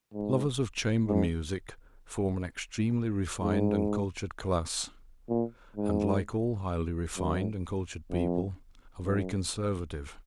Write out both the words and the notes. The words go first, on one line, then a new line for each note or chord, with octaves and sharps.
Lovers of chamber music form an extremely refined and cultured class, and, like all highly refined and cultured people, are very conservative.
G#2
G#2
G#2
A#2
G#2
F#2
F2
F#2